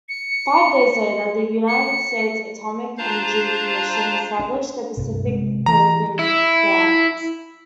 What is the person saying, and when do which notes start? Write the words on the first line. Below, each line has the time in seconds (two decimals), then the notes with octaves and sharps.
Five days later, the United States Atomic Energy Commission established the Pacific Proving Grounds.
0.09 C#7
1.68 C#7
2.98 D4 F4 C5 F5 A5 A#5
4.39 D4
4.97 G2 C3
5.25 C3 G#3
5.66 E3 A#5
6.19 E4